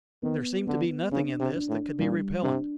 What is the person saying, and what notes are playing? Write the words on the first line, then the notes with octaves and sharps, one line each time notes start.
There seemed to be nothing in this that could be repellent.
D#3 B3
D3 B3
C#3 D4
C3
D4
A2
A#2 G3
C3 D4